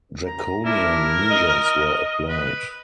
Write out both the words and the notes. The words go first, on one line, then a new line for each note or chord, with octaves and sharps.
Draconian measures were applied.
A#5
D4 E4 A#4
D#5
B4